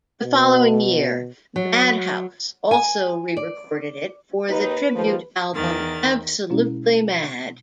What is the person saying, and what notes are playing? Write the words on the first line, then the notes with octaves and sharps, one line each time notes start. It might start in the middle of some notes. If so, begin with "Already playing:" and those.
The following year, Mad'House also re-recorded it for the tribute album "Absolutely Mad".
B2
F#3
G#5
D5
D#2 D#4 B4
D#2 F3
E2 D#3 A6
B2 G#3 C#4 E4